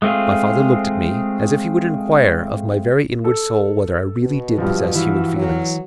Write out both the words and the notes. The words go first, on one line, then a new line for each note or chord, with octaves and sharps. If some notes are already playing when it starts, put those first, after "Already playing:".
My father looked at me, as if he would inquire of my very inward soul whether I really did possess human feelings?
G#3 A3 C4 F4 G#4
A4
B2
G2 F3
E3 F#4
F#3